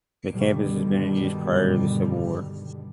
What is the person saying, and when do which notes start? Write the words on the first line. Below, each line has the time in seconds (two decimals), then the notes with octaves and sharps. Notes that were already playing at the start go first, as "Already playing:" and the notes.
The campus has been in use prior to the Civil War.
0.31 G2 B2 D3 D#3 G3